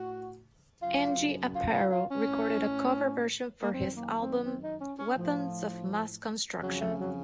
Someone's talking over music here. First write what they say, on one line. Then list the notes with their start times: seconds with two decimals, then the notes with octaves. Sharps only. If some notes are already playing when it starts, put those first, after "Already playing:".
Angie Aparo recorded a cover version for his album "Weapons of Mass Construction".
Already playing: A2 F#4
0.81 F#2 C#3 F4
1.54 F4
1.73 F4
1.91 F4
2.09 C#4
2.27 A2
3.62 A#3
3.72 F#2 D#3 C4
3.96 A#3
4.20 C4
4.44 C4
4.62 D#4
4.80 C#4
4.99 C#4
5.17 A2 F3
6.62 F2 C#3 F#3
6.80 A3
6.99 F#3